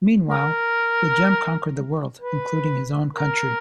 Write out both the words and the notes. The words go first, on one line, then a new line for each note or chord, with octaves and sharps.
Meanwhile, the "Gem" conquered the world, including his own country.
A#4
B4
A#4